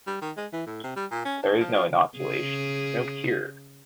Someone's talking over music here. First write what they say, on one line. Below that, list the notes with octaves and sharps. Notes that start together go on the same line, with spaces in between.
There is no inoculation, no cure.
G3
D#3
G#3
E3
A2
C3
G3
A#2
C#4
D4
F3
F4
C#3 G#4